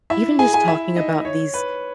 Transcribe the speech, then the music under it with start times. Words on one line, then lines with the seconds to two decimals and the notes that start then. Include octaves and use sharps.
Even just talking about these
0.10 E4 E5
0.39 G#4 G#5
0.53 G#4 G#5
0.68 E4 E5
0.96 D#4 D#5
1.25 C#5
1.54 B4